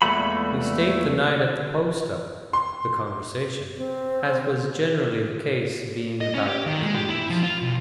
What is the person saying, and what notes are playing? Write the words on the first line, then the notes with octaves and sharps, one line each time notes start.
We stayed the night at the posta, the conversation, as was generally the case, being about the Indians.
E2 A#2 G#3 A3 F#4 B5
C6
C4
D#5
C#4
G4
D#3
G#3
G4
E4
F3
F4
B1